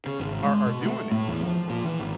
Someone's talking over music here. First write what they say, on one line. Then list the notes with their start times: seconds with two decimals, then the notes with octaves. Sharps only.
are are doing it.
0.06 C#3
0.20 G#1
0.44 G#3
0.66 B2
0.86 A3
1.11 A2
1.28 E2
1.43 F3
1.70 A#2
1.85 E3
1.99 G#1